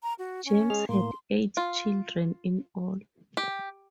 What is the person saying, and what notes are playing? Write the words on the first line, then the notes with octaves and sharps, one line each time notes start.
James had eight children in all.
A#5
F#4
C#4
G#3 G#4 F6
A2 A#3 C6
F4
G4